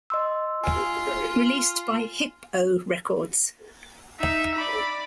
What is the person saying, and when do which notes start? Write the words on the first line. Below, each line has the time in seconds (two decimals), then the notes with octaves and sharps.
Released by Hip-O Records.
0.10 D#5 C6 E6
0.64 F4 G#5
4.20 D#4 E5
4.55 D5 B5